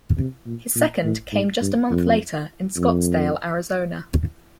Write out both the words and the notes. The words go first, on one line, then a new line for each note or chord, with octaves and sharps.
His second came just a month later in Scottsdale, Arizona.
C3
A#2
A#2
A2
G#2
G2
F2
F2